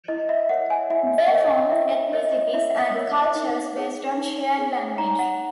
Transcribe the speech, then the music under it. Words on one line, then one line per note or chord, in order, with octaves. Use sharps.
They formed ethnicities and cultures based on shared language.
E4 D#5
E5
A#4 C#5 F#5
G#5
E4 E5
D#5
A#4 C#5
D#5
E4 E5
A#4 C#5 D#5
E4 E5
A#4 C#5
D#4
G#4 C#5
D#4
G#4 C#5
D#4 A#5
F#5